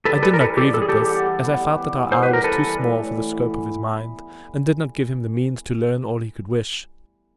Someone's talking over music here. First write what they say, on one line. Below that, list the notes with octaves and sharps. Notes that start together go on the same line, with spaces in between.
I did not grieve at this, as I felt that our isle was too small for the scope of his mind, and did not give him the means to learn all he could wish.
G3 A4 B4
E3 A4 B4
A#4
E3 A4 B4
G3 G4 A4
G3 A4
G#4
G3 G4 A4
B3
E3
B3
G3
E3
E3
B3 C5
B4
E3 A#4
G3 A4 B4
E3
A2
E3
E3
E3
E3